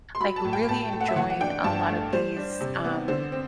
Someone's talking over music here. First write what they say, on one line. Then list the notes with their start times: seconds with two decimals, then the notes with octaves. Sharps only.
Like, really enjoying a lot of these, um,
0.15 C6
0.20 F#3 B5
0.36 A5
0.44 A2
0.53 G5
0.68 A2 A5
0.92 A3
1.00 F#5
1.08 E5
1.16 E3 F#5
1.30 F#5
1.41 D4 G5
1.64 G2 A5
1.89 A3
2.12 G3 C5
2.37 D4
2.61 C3
2.85 B3
3.08 D3 C5
3.32 C4